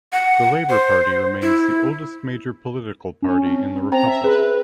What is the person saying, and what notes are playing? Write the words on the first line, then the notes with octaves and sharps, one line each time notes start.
The Labour Party remains the oldest major political party in the Republic.
F#5
C5
E4
C#4
C4
C4 C5 G5 A#5
E5
G#4 B4